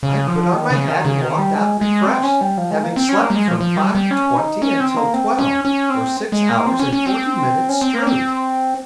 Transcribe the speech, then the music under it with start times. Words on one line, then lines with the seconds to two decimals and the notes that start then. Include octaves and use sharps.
I put on my hat and walked out refreshed, having slept from five-twenty until twelve, or six hours and forty minutes straight.
0.03 C#3
0.27 F3
0.53 D#3
0.70 C#3
0.88 D#3
1.05 C#3
1.21 D#3
1.38 G3
1.56 G#3
1.81 G#3
2.06 C4
2.23 C#4
2.41 G3
2.58 F3
2.71 G#3
2.83 A#3
2.96 C4
3.09 C#4
3.22 A#3
3.30 G3
3.35 G#3
3.48 F3
3.61 F3
3.77 G3
3.95 G3
4.11 C#4
4.37 D#4
4.62 C#4
4.80 C4
4.97 A#3
5.14 C4
5.39 C#4
5.65 C#4
5.90 C4
6.32 G#3
6.50 A#3
6.66 C4
6.80 C#4
6.93 C#4
7.06 C4
7.69 C#4
7.81 C4
7.95 A#3
8.07 C4